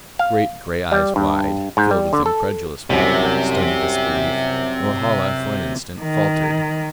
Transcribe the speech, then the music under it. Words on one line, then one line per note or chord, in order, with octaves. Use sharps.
Great gray eyes wide, filled with incredulous wonder, stunned disbelief, Norhala for an instant faltered.
F5
G3
G2
G#2
G3
D3
A4
C2 F#2 C3
D#3